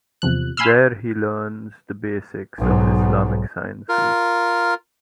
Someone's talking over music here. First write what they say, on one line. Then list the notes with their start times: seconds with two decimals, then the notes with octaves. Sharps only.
There he learns the basics of Islamic sciences.
0.22 E2 C3 F3 F#6
0.57 F5 G#5 B5 C6 E6 F6
2.58 B1 G#2
3.89 F4 A#4